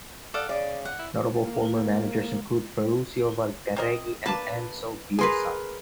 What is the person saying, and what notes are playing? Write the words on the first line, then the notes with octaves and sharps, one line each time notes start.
Notable former managers include Ferruccio Valcareggi and Enzo Bearzot.
A4 D5 F5 F#5
C#3 D5
F#5
E4
A#3
C4 A#4 D#5
A#3 D4 B4 A5
G#4 A#4 B4 G#5 C6